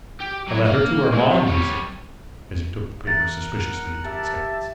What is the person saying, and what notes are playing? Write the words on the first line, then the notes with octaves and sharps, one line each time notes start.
'A letter to Urmand,' he said, as he took the paper suspiciously into his hands.
G4
F#3 E4
A#3 F5
G#3 C4
C3
G3 C#5
E3 A#4 F#5 A6
G4 E5 A5